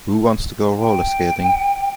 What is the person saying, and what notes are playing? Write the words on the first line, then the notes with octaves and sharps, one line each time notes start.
Who wants to go roller skating?
G5